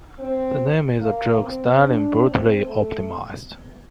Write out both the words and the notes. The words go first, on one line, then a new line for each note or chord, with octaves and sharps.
The name is a joke: Stalin brutally optimizes.
C4
A#3
C4
D4
C4
A3